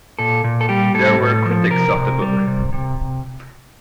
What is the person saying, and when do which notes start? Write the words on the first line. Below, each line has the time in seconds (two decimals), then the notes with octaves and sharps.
There were critics of the book.
0.19 A#2 A4
0.44 A#2
0.61 A4
0.69 G3 G4
0.94 A2 A4
1.20 A2
1.46 F3
1.70 C3 A#4
1.96 C3
2.22 G3
2.47 C3
2.72 C3